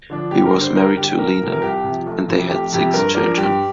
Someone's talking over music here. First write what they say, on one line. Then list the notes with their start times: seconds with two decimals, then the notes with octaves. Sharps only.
He was married to Lena, and they had six children.
0.10 D3 F3 D4
0.31 G2 G4
0.46 A#4
0.54 D3 G3 D4
0.61 C5
0.76 G2 A#4
0.97 D3 G3 D4 G4
1.09 G4
1.19 C2 A#4
1.41 C3 F3
1.53 A#4
1.62 C2 G4
1.84 C3
1.89 F3
2.06 F1
2.28 F2 C3
2.50 F1 G4
2.72 F2 C3 G4
2.94 G2 A#4
3.15 F3 D4 A#4
3.37 G2 G4